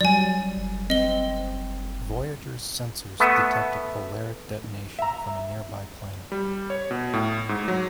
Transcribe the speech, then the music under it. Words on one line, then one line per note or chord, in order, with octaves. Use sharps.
"Voyager"s sensors detect a "polaric" detonation from a nearby planet.
F#3 G3 D5 G#5
C4 D#5 G7
A3 B3 E5
E5 A#5
G3
C#5
B2
A2
G#2
F#3